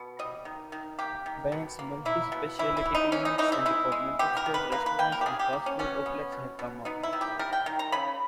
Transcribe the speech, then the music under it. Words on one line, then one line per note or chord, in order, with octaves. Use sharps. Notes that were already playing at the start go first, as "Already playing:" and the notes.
Banks, multi-specialty clinics, and departmental stores, restaurants and fast food outlets have come up.
Already playing: B2
G3 D#5
D#3
D#3
A#3 G4
D#3
B2
A#3
A#3 E4
B2
E3 E4
E4
E3
D#4
E3 C#4
D#4
E3 D#4
E4
G#3 E4
G#3
B3 G4
A#4
D#3
B4
A#3 B4
B4
A#3 G5
A#4
G4
G3 G#4
G4
A#3
C#4
B2 C#4
B3
B2
B2
B3 D#4
E4
D#3
G4
G3 A#4
G5
D#3
A#5
C#3 B5